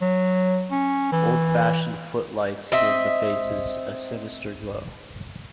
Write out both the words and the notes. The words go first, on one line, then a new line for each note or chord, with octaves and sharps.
Old-fashioned footlights give the faces a sinister glow.
F#3
C#4
E3
C4 D#5 E5